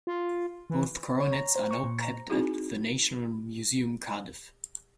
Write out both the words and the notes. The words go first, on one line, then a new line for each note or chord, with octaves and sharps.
Both coronets are now kept at the National Museum Cardiff.
F4
E3
C#5
A#5
C5
C#6
A#2
A#5
C4 D#4 E4 F#4 G#4